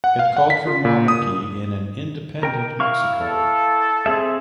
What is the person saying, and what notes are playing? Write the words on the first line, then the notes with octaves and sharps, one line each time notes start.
It called for monarchy in an independent Mexico.
F#5
F5
F#5
B6
F4
A#2
D#6
A#4 G5
E4 F5 C#6
A4
C4 G#4 E5